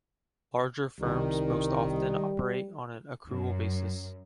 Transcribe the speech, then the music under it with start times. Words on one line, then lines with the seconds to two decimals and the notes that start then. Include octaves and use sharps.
Larger firms most often operate on an accrual basis.
1.00 C2 D#3 G3
3.31 F#2